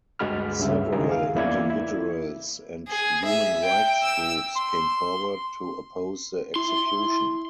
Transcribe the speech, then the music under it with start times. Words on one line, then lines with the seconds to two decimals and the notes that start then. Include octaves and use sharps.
Several individuals and human rights groups came forward to oppose the execution.
0.19 D2 G2 G#3 F#4 B5 F6
0.60 G2 C#3 E5
0.93 C#2 D#3 F4 G#4 A#4
1.12 F5
1.35 E2 A#3 E4 D5 G#6
1.70 E4
2.88 G#4
3.25 E5
3.63 G5
4.02 E6
4.55 C6
6.56 E4 C6